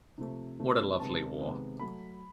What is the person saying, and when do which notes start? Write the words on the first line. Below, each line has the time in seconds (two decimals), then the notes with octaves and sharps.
What a Lovely War.
0.18 C3 F3 A3
0.59 C3 F3 A3
0.99 C3 D#3 G#3 B3 A5
1.39 C3 D#3 G#3 B3
1.80 F#3 A3 B5